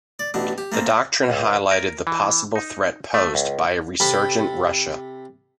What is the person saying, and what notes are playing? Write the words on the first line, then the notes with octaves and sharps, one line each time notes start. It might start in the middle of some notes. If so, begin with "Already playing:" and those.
The doctrine highlighted the possible threat posed by a resurgent Russia.
D5
A1 B2 A3 D4
G4
A3 A#3 C4
C#2
A#4
E3
D#4
A3
C#2
C3 A4 B5